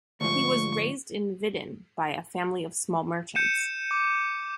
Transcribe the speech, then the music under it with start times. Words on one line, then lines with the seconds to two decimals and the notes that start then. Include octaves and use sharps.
He was raised in Vidin by a family of small merchants.
0.21 D2 G#2 F3 C#6
3.35 G6 C#7 D#7 E7
3.91 D6